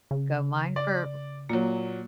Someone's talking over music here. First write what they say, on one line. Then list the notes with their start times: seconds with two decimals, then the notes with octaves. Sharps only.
go mine for
0.11 C#3
0.76 D5
1.49 A#2 F#3 A#3